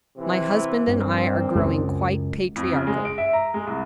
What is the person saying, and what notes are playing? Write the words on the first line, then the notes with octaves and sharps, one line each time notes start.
My husband and I are growing quite patriarchal.
C3 E3
G2 A#2 C4
C#2 F#2
F2
C#3
G#3
D7
E5
A#5
G#3
C2